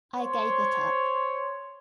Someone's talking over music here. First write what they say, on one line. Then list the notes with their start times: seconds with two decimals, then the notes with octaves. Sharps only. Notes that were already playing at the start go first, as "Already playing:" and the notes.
I gave it up.
0.15 C5 C#5 C6